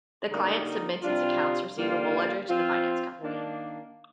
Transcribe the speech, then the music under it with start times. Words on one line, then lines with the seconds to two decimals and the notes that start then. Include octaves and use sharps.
The client submits its accounts receivable ledger to the finance company.
0.30 D3 G3 A#3 D#4
1.03 C3 G3 D4 F4
1.75 D3 G3 A#3 F4
2.49 F3 C4 F4
3.21 D#3 A#3 D4